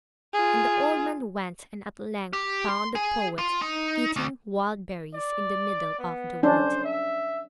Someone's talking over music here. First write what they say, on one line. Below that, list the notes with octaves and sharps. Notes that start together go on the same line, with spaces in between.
And the old man went, and at length found the poet eating wild berries in the middle of the wood.
F4 G#4
G4
C6
G#4
F4
D#4
D2
D5
B3
C#4 D4 C5
E5